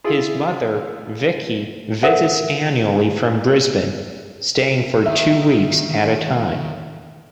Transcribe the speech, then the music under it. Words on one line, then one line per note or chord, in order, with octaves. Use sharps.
His mother, Vicki, visits annually from Brisbane, staying for two weeks at a time.
E4 F4 G#4
A4 A#4 C5 E5 F#5
D#3 E5